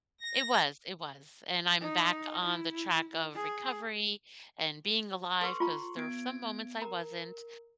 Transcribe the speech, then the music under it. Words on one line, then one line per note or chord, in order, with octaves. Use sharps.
It was, it was, and I'm back on the track of recovery and being alive 'cause there were some moments I wasn't,
A#6
D#4
E4
G#4
A4 B4 C6 C#6
F4 A#5
B3 G#6 D7
A#4 A#5